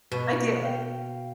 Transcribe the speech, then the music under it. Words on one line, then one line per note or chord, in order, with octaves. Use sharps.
I do.
B2
F5 G5